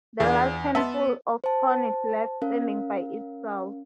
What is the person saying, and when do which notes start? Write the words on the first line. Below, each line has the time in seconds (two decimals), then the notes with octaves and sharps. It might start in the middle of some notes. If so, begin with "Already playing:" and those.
The last handful of corn is left standing by itself.
0.20 E2 D4 F4 G#4
0.75 B3 E5 A5 C6
1.44 C5 A5
2.42 C#4 A#4 F5